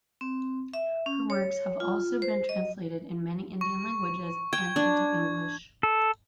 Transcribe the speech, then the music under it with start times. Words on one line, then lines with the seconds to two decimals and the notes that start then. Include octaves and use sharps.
Her works havealso been translated in many Indian languages, and into English.
0.21 C4
0.74 E5
1.06 C#4
1.30 C#5
1.80 F4
2.22 C5
2.49 D#5
3.61 C#6
4.53 G5 G#6
4.76 D4
5.83 A4